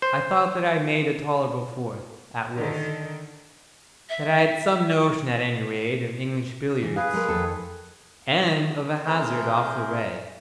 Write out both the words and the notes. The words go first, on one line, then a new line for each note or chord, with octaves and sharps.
I thought that I made a tolerable fourth at whist; that I had some notion, at any rate, of English billiards, and of a hazard off the red.
C5
D3 D#3
E5
E3
G#4 B4 F5
G#3 A#4
F2 D#3 A4
A3 C4 G#4 A#4 G6